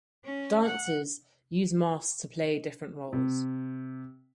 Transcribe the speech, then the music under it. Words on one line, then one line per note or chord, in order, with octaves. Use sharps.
Dancers use masks to play different roles.
C#4
F#5
C3